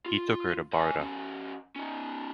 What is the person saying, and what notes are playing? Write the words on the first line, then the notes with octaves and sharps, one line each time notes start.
He took her to Barda.
F4
C5 G#5
F3 C#4
C#4 D#4